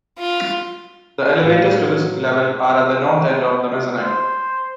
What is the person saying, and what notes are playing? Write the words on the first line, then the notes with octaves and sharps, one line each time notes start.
The elevators to this level are at the north end of the mezzanine.
F4
A2 F#3 F#4 B4 F5
C5